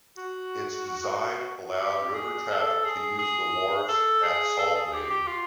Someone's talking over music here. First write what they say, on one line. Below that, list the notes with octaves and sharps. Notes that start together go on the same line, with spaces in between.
Its design allowed river traffic to use the wharfs at Saltney.
F#4
F#4
G4
G#4
A4
G#4
G#4
A4
G#4
A4
G#4
G4
G4
F4